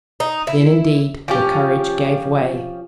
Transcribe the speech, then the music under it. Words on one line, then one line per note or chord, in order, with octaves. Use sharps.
Then, indeed, her courage gave way.
D#4
E4
F3 C#4 G4